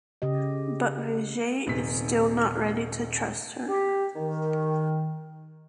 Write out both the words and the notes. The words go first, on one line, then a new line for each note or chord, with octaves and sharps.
But Vijay is still not ready to trust her.
C#3 G4 D#5
D#1 C3 B3 B6
G4
D#3